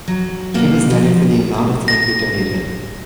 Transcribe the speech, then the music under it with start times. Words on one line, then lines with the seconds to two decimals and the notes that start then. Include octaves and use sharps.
He was knighted for the amount of time he donated.
0.08 F#3
0.54 B2 G3 A#3
0.91 F3
1.88 A#6